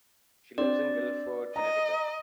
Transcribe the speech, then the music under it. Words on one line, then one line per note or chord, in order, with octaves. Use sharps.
She lives in Guilford, Connecticut.
C4 D4 D5
D#5 A#5